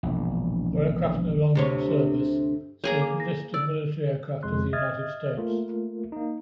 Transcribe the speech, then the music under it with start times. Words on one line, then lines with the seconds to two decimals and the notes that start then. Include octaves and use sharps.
For aircraft no longer in-service see List of military aircraft of the United States.
0.03 E1 A#1
1.55 D2 C3 C#5
2.84 A#3 G#4 C#5 A#5
3.02 D6
3.20 A#6
3.54 D5 E6
4.43 F2 C3 G#3 C6 F#6
4.73 D#5 E5 D#6 F6 G#6 A6
5.37 A3 A#3 F4 A#4
6.12 A#3 D#4